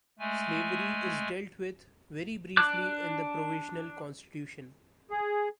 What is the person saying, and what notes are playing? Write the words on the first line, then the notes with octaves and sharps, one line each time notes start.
Slavery is dealt with very briefly in the Provisional Constitution.
G#3 A3 G#5
D4 D6 F#6
G#4